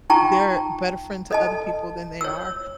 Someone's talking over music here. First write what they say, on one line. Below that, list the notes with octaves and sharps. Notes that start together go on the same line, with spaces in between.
they're a better friend to other people than they are
D#4 F4 G5 A5 A#5 C#6
A4 D#5 A5
C#5 E6